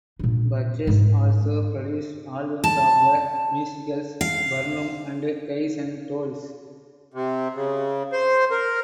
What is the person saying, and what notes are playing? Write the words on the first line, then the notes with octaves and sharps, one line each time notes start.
Burgess also produced albums of the musicals "Barnum" and "Guys and Dolls".
A#2 D4
G#2 D#3
A5
F5
C3
C#3
C5
A#4